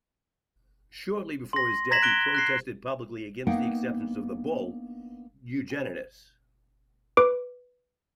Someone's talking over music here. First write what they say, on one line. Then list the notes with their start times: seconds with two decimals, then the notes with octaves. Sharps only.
Shortly before his death he protested publicly against the acceptance of the bull "Unigenitus".
1.53 C6 A#6
1.91 A#5 G#6 A#6 B6 E7 F#7
2.03 F#6 D7 G7
2.35 F#6 A#6 C7
3.47 A#3 B3 D4 D#4 F#5 G5
7.17 B4 D6 D7